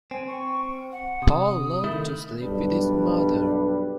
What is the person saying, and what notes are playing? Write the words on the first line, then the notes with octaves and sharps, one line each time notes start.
Paul loved to sleep with his mother.
C4 G#5
C#6
F#5
C3 D#6
D#3 A3 E4
B1 G2 G3 D4 B4